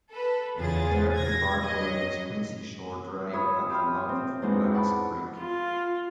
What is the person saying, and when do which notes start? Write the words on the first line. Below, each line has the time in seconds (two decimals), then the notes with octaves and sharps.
There the parkway meets Quincy Shore Drive at the mouth of Blacks Creek.
0.11 A4 B4
0.57 E2 C#3 F4 G#4 A6
1.14 G#6 A#6
1.63 F#3 D#5
3.33 F4 C#5 E5 B5 D#6 E6
3.69 G4 E5 B5 C6 D#6 F6
4.09 C4
4.42 E2 G#2 G#3 C4 D4 D#4
4.73 F#5 A5 B5 C#6 D6
5.39 F4